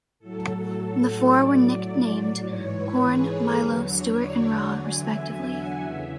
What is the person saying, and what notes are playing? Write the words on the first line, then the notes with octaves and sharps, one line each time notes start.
The four were nicknamed "Corn", "Milo", "Stuart", and "Raw", respectively.
A2 F#3 A4
A4
A2 F#3 D5
G#2 E3 C#5
B4
G#4
A4
E2 D3 F#3
C#5
D5
F#5
E2 D3 F#3 G#5
E5
E5
F#5
E2 C#3 E3 E5